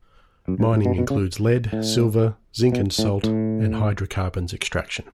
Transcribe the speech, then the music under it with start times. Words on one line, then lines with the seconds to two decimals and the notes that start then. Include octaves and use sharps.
Mining includes lead, silver, zinc and salt, and hydrocarbons extraction.
0.48 F#2
0.60 G#2
0.73 A2
0.85 B2
0.98 B2
1.10 C#3
1.73 A2
2.72 B2
2.98 A2
3.23 A2